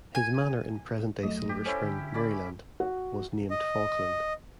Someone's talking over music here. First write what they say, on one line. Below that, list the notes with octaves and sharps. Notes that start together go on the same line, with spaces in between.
His manor in present-day Silver Spring, Maryland was named Falkland.
G#5
F2 F#3 A3 D#5
G4
C#4 E4 A4 C5 C#5
D3
C#4 D5 B5
F#4
D#5